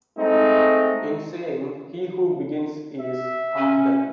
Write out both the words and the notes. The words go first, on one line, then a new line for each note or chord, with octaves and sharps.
In saying, He who begins is half done.
G#3 A3 C4 D#4
E5
C#4